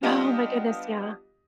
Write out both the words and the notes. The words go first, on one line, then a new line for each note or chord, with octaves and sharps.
Oh my goodness, yeah.
G3 B3 D4 F4 G4 D#5